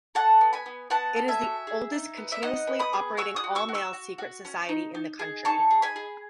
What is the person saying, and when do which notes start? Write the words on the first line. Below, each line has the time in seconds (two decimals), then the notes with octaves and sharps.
It is the oldest continuously operating all-male secret society in the country.
0.15 A4 F#5 A5
0.41 B3
0.53 G#5 B5
0.66 B3
0.90 B3 F#5 A5
1.16 A4
1.28 E5 G#5
1.41 F#4
1.67 G#4
1.92 D#4
2.17 B3
2.32 E5
2.42 D#4 D#5 F#5
2.67 B3
2.80 B5 D#6
2.93 G#4
3.17 F#4 C#6 E6
3.36 D#6 F#6
3.44 F#4
3.55 C#6 E6
3.69 F#4
3.75 C#6 E6
3.93 F#4
4.18 F#4
4.45 C#4
4.69 D#4
4.95 D#4
5.19 G#4
5.45 D#4 A5 C#6
5.71 G#4
5.82 G#5 B5
5.96 G#4